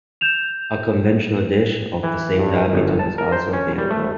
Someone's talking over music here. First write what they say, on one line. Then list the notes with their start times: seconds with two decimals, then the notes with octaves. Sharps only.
A conventional dish of the same diameter was also available.
0.21 G6 E7 F7
2.03 E3
2.38 G2
2.73 G1
2.99 A5
3.18 A#4
3.32 C5
3.53 C#4
3.78 G3
3.90 A3